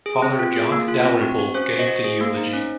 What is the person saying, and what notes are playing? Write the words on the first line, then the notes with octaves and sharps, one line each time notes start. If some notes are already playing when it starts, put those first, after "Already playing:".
Father Jock Dalrymple gave the eulogy.
G#4
C4
F4
G#4
A#3
F4
C4
F#4
F#4
C#4 C5
F#4
C5 D#5
F#4
G#4
A#3
D#4
C#4